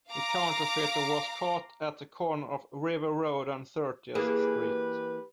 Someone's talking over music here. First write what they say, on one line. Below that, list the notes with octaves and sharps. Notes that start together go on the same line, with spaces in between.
The counterfeiter was caught at the corner of River Road and Thirtieth Street.
F5 A#5 D6
E3 A#3 G4 G#4 B4